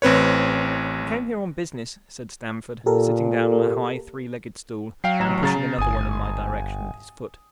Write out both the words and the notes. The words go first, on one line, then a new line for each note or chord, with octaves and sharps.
"We came here on business," said Stamford, sitting down on a high three-legged stool, and pushing another one in my direction with his foot.
A1 C4 B4 C#5
A#2 G4 A4 A#4
F#3 F5 G5 C7
A1 A#5 E7
C#3 A#5 A6
G1 G#5 D#6